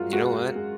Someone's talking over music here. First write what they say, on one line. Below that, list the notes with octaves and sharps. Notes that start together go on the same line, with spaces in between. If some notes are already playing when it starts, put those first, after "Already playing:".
You know what?
Already playing: F#2 G#3 F4 F#4 A#4
G#3 F#4
G#3